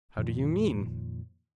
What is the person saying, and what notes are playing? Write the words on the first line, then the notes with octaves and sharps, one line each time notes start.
How do you mean?
F2 A#2 D#3 F3